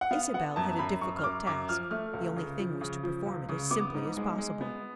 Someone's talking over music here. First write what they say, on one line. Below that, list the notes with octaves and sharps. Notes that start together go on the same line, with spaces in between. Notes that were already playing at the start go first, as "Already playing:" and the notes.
Isabel had a difficult task--the only thing was to perform it as simply as possible.
F#5
B3 F5
B3 F#5
F#2 A5
F#2 B5
F#2 C#6
F6
F#2 D6
F#2 D6
F3 F6
A3 F6
C#2
C#3
F3
C#3
F3
C#2
C#3
B3 D6
G#2
G#3
G#3
B3